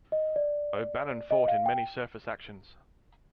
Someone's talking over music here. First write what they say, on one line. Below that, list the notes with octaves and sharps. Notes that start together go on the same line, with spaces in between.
"O'Bannon" fought in many surface actions.
D#5
D5
D#5
F5
G5